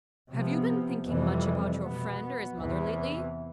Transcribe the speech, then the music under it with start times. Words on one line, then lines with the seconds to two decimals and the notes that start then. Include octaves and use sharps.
"Have you been thinking much about your friend or his mother lately?"
0.30 C3 F3 B3
1.07 F2 C3 E3 G3
1.83 B2 B3
2.60 E2 C3 E3